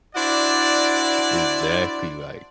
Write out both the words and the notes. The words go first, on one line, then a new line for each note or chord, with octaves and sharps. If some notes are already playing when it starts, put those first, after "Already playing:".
Exactly, like
D4 E4 F#4 C5 D5